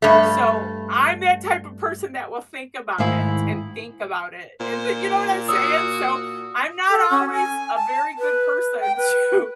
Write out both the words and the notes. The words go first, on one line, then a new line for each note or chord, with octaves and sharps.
So, I'm that type of person that will think about it, and think about it, and thi you know what I'm saying? So, I’m not always a very good person to
G2 A3
G#2 D#3 A3 E4 F5 G#5
A#2 C5
F#4 D#6 E6
A4
C#4
G#5
A5
B4
G5
B4